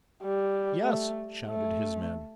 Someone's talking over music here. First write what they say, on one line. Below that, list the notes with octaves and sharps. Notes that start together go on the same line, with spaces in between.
"Yes," shouted his men.
G3
A3
A3